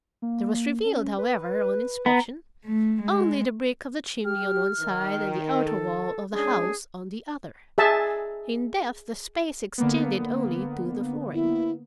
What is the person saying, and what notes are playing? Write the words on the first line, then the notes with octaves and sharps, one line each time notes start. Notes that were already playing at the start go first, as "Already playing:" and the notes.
There was revealed, however, on inspection, only the brick of the chimney on one side and the outer wall of the house on the other; in depth the space extended only to the flooring.
A#3
C#4
B4
B3 A#5
A3
G#3
G4 F6
D#3
A4
G#3 C#4 D4 G#4
G#4 E5 A5
D3 A#3 B3
E4